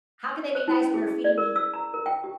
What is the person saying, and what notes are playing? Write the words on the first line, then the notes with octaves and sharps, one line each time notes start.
How can they be nice when they're feeding me
C5
E4
C#4
G#4
G#4
D5
A#4
E6
A#5
A#4
G5
G4